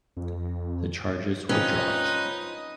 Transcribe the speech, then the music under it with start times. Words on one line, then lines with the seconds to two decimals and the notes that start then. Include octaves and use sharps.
The charges were dropped.
0.17 F2
1.49 C4 C#4 D#4 F4 B4 D#5